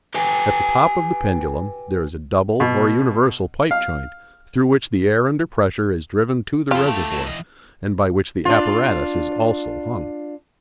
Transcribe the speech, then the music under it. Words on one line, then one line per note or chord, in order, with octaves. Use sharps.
At the top of the pendulum there is a double or universal pipe-joint through which the air under pressure is driven to the reservoir, and by which the apparatus is also hung.
G4 B4 G5 G#5
B2
F5
F2 F4 G4 A4
A3
F#3 E4
E2 D#5
D4 F4